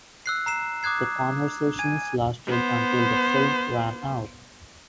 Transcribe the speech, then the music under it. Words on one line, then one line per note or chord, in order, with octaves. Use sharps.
The conversations lasted until the film ran out.
E6 F#6 C7
A#5 C7 E7
D6 D#6 F#6 G#6 C7
G#5 G#6 D#7
B3 C5